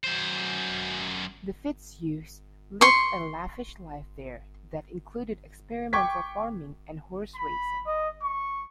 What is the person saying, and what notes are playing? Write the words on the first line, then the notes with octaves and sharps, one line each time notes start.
The Fitzhughs lived a lavish life there that included experimental farming and horse racing.
F#2 C5
C6 C#6
G5 C#6 D6 G#6 B6
B5
D#5
C#6